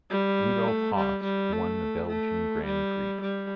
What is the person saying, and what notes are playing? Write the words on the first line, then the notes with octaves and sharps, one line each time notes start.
Rudolf Hasse won the Belgian Grand Prix.
G3
A3
G3
G3
A3
A3
G3
G3